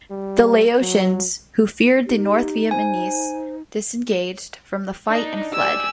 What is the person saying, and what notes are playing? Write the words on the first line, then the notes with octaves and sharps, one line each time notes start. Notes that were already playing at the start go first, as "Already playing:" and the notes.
The Laotians, who feared the North Vietnamese, disengaged from the fight and fled.
G3
F#3
D#4 G4
C5 G#5
D4 D#4
G4 D5 G#5 E6